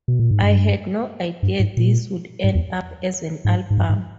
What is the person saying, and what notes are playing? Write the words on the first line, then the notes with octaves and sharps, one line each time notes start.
I had no idea this would end up as an album.
B2
A#2
G#2
G2
G2
G#2
A#2
G#2
E2
G#2
G#2
G2
G#2